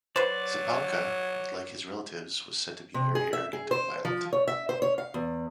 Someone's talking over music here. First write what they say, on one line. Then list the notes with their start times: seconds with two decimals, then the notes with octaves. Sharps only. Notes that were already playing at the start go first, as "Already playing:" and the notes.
Zipacna, like his relatives, was said to be very arrogant and violent.
0.16 F#3 B4 C5 D5
2.94 C3
3.15 G#4
3.33 E5
3.53 G#4
3.71 C5
4.05 F3
4.33 C#5
4.47 E5
4.69 C5
4.82 C#5
4.98 F5
5.14 E2